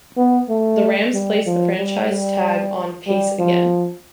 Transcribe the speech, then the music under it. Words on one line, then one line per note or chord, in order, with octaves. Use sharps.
The Rams placed the franchise tag on Pace again.
B3
A3
G3
F3
G3
G3
G3
F3